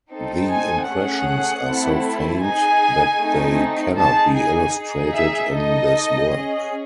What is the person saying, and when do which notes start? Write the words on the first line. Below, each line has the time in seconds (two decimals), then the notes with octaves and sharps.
The impressions are so faint that they cannot be illustrated in this work.
0.13 C4 D#4 A4
0.52 G#5
0.90 A3 C#4 G#4 F#5
1.66 A3 C4 E4 A4
2.44 D#4 G#4 G#5
3.22 A3 C4 D#4
3.99 D#4 G#4 A5
4.38 G#5
4.75 D#4 G#4
5.14 E5
5.52 D#4 A4 D#5
6.30 C#4 G#4